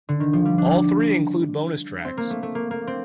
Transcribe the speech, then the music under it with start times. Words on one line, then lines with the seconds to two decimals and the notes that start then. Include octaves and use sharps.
All three include bonus tracks.
0.09 D3
0.20 D#3
0.33 F3
0.45 G3
0.58 D4
2.05 C4
2.17 A#3
2.30 A3
2.43 A3
2.55 A#3
2.71 A#3
2.87 C4